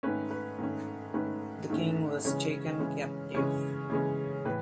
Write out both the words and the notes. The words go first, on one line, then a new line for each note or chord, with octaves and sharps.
The king was taken captive.
G#2 D#3 A3 C#4 B4
B4
G#2 D#3 A3 C#4
G#2 D#3 A3 C#4 B4
G#2 D#3 A3 C#4
C#3 E3 G#3 C#4 C#5
C#3 E3 G#3 C#4
C#3 E3 G#3 C#4 C#5
C#3 E3 G#3 C#4
A2 E3 B4